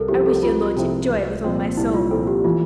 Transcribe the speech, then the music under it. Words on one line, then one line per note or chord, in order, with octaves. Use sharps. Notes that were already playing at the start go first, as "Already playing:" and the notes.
I wish your lordship joy with all my soul.
Already playing: C2 A4 A#4
C3 F3 C4 E4 G4
A4
C2 F4
C3 F3 C4 E4
C2
A#2 F3 C4
C2 E4
F4
A#2 F3 C4 A4
G4
E3 F4